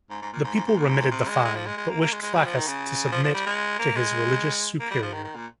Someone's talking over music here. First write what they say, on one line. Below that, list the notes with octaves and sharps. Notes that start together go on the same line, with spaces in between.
The people remitted the fine but wished Flaccus to submit to his religious superior.
G#2
G#2
A#2
G#2
G#2
G#2
A#2
G#2
G#2
C3
G#3
G#3
F3
G#3
G#3
A#3
A#3
G#3
G#3
G3
F3
D#3
C#3
F3
F3
G3
G#3
A#3
G#3
A#3
G3
F3
D#3
D#3
A#2